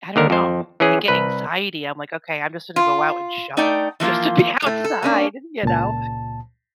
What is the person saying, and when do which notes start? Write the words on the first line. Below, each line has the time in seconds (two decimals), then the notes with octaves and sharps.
I don't know, I get anxiety. I'm like, "Okay, I'm just gonna go out and shovel just to be outside." You know,
0.16 D#2 D3 A#4
0.30 F2 C5
0.80 E3 C#4 G#4
1.08 C2 B4
2.76 F4
3.57 A3 D#4 D5 F#5 G5
4.00 E3 F3 A#3 F4
4.62 A2 A3
4.84 A4
5.02 A#3 C#4 D4
5.63 C#2 A#2 A5